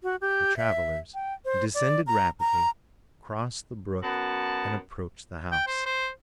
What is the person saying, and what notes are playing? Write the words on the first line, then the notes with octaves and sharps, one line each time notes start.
The travelers descended rapidly, crossed the brook, and approached the house.
F#4
G4
E5
G5
C5
D5
A#5
A#5
F#2 B3 F#4 F#5 A5
G5
C5
C5